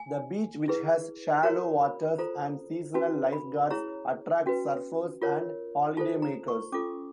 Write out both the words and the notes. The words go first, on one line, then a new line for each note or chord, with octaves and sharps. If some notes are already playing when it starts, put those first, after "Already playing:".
The beach, which has shallow waters and seasonal lifeguards, attracts surfers and holidaymakers.
Already playing: G#5
E4 G#4 B4
F#4 A#4 C#5 A#5
B5
F4 A4 C5 A#5
C#4 F#4 B4 A5
B5
E4 G#4 C#5 A#5
C#4 F#4 B4
F4 A#4 C#5
F4 A4 C5 A5
A#5
C#6
C#4 F4 A4 D6